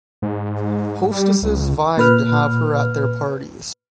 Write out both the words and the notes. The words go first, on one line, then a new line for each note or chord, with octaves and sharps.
Hostesses vied to have her at their parties.
G#2
G3
C#2
A#2 B4 F6